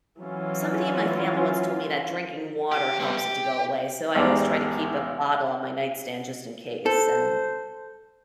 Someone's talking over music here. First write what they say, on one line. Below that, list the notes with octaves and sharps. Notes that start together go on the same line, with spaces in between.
Somebody in my family once told me that drinking water helps it to go away, so I always try to keep a bottle on my nightstand just in case, and
E3 F#3 C#4 F4
G4
G3 B3
G4
A1 E2 G#3 D#4 G4 D5
A4 C5